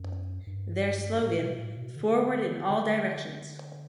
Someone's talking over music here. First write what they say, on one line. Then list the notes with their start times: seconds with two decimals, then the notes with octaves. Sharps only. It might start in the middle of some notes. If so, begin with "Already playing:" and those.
Their slogan, Forward in all directions!
Already playing: F#2
0.47 G2
1.21 A2
1.40 B2
1.58 A2
1.77 B2
1.96 D3
2.70 D3